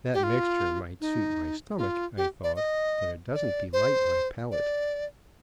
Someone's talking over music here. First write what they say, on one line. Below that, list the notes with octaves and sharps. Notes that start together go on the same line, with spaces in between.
That mixture might suit my stomach, I thought, but it doesn't delight my palate.
G4
F4
D#4
F4
G4
D5
D#5
D5
C5
D5